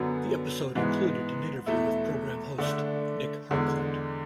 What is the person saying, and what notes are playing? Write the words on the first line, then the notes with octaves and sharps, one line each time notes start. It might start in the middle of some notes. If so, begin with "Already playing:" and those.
The episode included an interview with program host, Nic Harcourt.
Already playing: F#2 D3 F#3 B3
G#2 E3 G#3 B3
E2 B2 A3 E4
D3 A3 D4
E2 D3 G#3